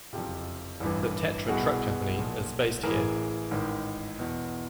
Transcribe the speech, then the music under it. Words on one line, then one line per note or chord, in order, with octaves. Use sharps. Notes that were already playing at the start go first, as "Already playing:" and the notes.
The Tatra truck company is based here.
F#1 F2 C3 F4 G4
A1 G2 E3
C2 B2 F#4 G#4
B1 A#2 F3
A1 A2 E3 G#4 A#4
A1 G#2 D#3
E2 B2